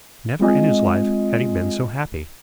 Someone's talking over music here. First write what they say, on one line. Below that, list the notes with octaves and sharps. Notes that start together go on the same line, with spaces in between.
Never in his life had he been so happy.
G#3 C4 F4 D#5 G#5